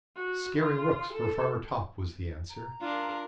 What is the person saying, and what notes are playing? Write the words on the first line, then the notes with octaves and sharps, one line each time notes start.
'Scaring rooks for Farmer Topp,' was the answer.
F#4
F4
A4
A#5
D4 F4 A#4